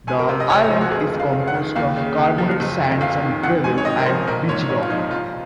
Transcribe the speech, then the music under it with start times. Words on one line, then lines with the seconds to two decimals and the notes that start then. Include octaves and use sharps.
The island is composed of carbonate sands and gravel, and beach-rock.
0.07 C#2 G#5
0.19 A#4
0.28 C3 C5
0.40 D#5
0.50 C#2 C#5
0.64 C#5
0.70 F3 C5
0.81 F#4
0.91 F1 G#4
1.12 F2
1.20 F5
1.33 F1
1.48 F#5
1.54 D#3
1.75 D#2 F5
1.96 C#3
2.18 D#2
2.38 F3
2.60 F#1
2.80 F2
3.01 F#1 F5
3.22 D#3
3.43 G#1 F#5
3.64 G#2 G#5
3.78 C#5
3.85 G#1 D#5
4.00 A#4
4.06 F3 C5
4.27 A#1 A#4
4.48 G#2 C#5
4.69 A#1 C#5
4.82 F4
4.90 F3 D#4
5.11 C2 F4